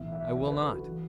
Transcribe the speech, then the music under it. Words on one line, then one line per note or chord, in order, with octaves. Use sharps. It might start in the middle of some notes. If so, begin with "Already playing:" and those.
"I will not."
Already playing: B1 A2 E3 B3 E5
E5
F#1 F#2 D3 F#3 D5
B4
A4
F#4
E3